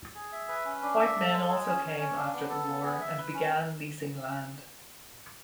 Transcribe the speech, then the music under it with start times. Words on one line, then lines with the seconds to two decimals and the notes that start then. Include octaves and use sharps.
White men also came after the war and began leasing land.
0.15 G#4
0.32 E5
0.48 B4
0.65 C#4
0.82 D4
0.99 E5
1.16 A4
1.33 G#3
1.49 G#4
1.66 C#4
1.83 C#5
2.00 C#4
2.16 D4
2.33 B3
2.50 A4
2.67 B3
2.84 G#4
3.01 E5
3.18 B4
3.34 C#4